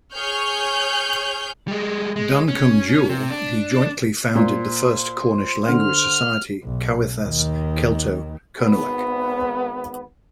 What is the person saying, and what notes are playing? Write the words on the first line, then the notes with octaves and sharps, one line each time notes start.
Duncombe-Jewell he jointly founded the first Cornish language society, "Cowethas Kelto-Kernuak".
G#4 C#5 F6 G6
G3 G#3
G#3
C#4
C3
D4
A#2 C5
D3 F6
B1
D#2 D#3
G#1 B3